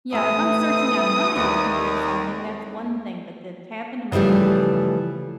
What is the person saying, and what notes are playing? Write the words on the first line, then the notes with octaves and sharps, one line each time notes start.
Yeah, if I'm searching online looking for something, that's one thing, but to tap into my conversations?
A2 C3 E3 D#6
D#2 D5 F#5 G5
C#3 E3 F3 G3 A3